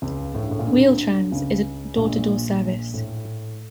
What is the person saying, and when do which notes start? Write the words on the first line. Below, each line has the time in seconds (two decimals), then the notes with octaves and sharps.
Wheel-Trans is a door-to-door service.
0.02 C#2 C#3
0.35 A2
0.43 G2
0.51 A2
0.59 A#1 A#2
0.67 D2 D3
1.32 C#2 C#3
1.97 A#1 A#2
2.94 A2